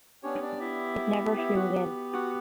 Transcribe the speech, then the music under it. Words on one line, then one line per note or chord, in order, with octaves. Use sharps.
It never flew again.
B3 C#4 D4 G4 C#5
D4 D5
E4 E5
E4 E5
F#4 F#5
F#4 F#5